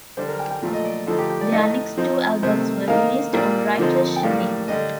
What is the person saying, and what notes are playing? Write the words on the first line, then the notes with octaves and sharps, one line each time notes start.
Their next two albums were released on Righteous Babe.
D3 G3 D4 C5
A#4
G5
G5
A#2 F3 A3
D#5
D5
D3 F3 A3 D#4 A4
G4
G4
D5
A2 A3 D#4 D#5
F3 C4 D#4
C3 D#3 A3 C5
D#3 A#3 D#4 F5
A#2 G3 A#3 D4
D3 F3 C4 D#4
G5
A2 G3 A#3 D4 F5
D3 G3 D4 D#5